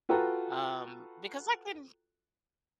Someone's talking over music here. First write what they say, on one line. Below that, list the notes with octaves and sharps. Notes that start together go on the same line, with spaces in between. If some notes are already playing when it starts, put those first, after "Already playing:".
um, because I couldn't,
F4 F#4 A4 B4 G5 A#5